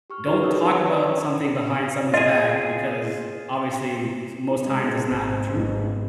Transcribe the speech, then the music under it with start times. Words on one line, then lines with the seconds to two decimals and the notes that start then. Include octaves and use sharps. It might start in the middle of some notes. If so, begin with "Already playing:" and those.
Don't talk about something behind someone's back because, obviously, s most times, it's not true?
0.10 G4 C#6 F6
0.26 D#4 F#4 G#4 A#4 B4 C#5
0.43 C4 C#4 A#4 B4 D#6 E6
0.66 A5 B5 C6
0.86 B4 C#5 D5 B5 C#6
2.14 F4 G#4 D#5
4.60 C3 G#3
5.09 G#1 C4
5.51 G#1 B2